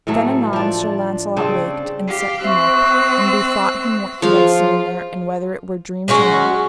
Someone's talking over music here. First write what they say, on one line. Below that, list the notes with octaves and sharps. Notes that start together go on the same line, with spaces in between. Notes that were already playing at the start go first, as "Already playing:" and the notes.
THEN anon Sir Launcelot waked, and set him up, and bethought him what he had seen there, and whether it were dreams or not.
A2 E3 F#3 A3
F3 D4
C#3 G3 C4 D4
G4 F5
C4 E5 C#6 E6 F#6
F3 F4 G#4 C5 F5
F#3 G#3 C#4 F#4